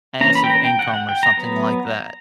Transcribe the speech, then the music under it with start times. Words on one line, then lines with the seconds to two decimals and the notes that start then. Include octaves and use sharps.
passive income or something like that?
0.21 E3 A#3 C#4 A#5
0.35 B5
0.44 G5
0.50 A#5
0.65 G5
0.79 F#5
0.88 G5
0.94 F#5
1.09 G5
1.23 A#5
1.37 F#3 B3